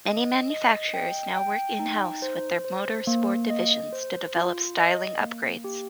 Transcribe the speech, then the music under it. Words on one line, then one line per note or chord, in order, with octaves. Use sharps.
Many manufacturers now work in-house with their motor sport divisions to develop styling upgrades.
D#5
D#5
G5
G5
D#4
C5
C5
A#3
D#5
C5
F4
D#5
A#3
G4